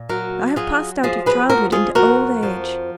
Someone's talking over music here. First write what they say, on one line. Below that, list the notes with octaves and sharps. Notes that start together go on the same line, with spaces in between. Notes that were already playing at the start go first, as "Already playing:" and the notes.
I have passed out of childhood into old age.
Already playing: A#2
F#3 F#4 A#4
F#3 F4 G#4
F3 F4 G#4
G#4 B4
F2 F#4 A#4
F4 G#4
F2 F#4 A#4
F3